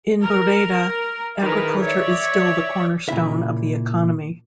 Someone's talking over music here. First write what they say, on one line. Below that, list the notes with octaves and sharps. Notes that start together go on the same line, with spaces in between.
In Buraydah, agriculture is still the cornerstone of the economy.
A#4
D#3 E4 G#4 A#4 B4
C#5 D5 E5
A#2 C#3 E4 E5